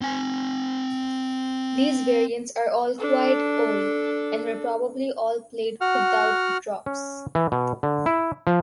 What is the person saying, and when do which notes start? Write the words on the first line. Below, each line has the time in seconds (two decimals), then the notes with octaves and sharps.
These variants are all quite old, and were probably all played without drops.
0.01 C4 G#5
2.99 D4 A4
5.81 F#4 F#5 F6
6.86 C#4
7.35 E3
7.52 B2
7.83 D3
8.06 E4
8.47 F3